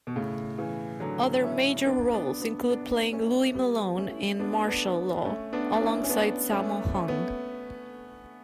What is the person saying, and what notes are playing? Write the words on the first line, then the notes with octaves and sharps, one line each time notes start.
Other major roles include playing Louis Malone in "Martial Law" alongside Sammo Hung.
B2
A2 C#3
C#3 E3
D3 F#3
C#4 E4
B3 D4
B3 D4
B3 D4
B3 D4
A3 C#4
G3 B3
A3 C#4
B3 D4
B3 D4
A3 C#4
B3 D4
D4
C#4 E4
C#4
B3 D4
A3 C#4
A3 C#4
B3